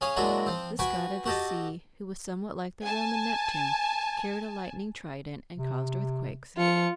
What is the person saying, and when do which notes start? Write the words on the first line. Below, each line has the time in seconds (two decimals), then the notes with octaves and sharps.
This god of the sea, who is somewhat like the Roman Neptune, carried a lightning trident and caused earthquakes.
0.01 C#4 G#4 C#5 F5
0.16 A#2 F#3 G#3 D4 E4 F#4
0.46 F3 C4
0.79 F#4 B4 G5 G#5 C#6
1.26 F#4 G4 A4 D#5 A5
2.83 G#5 A5
5.57 C3
6.57 F3 F4 C#7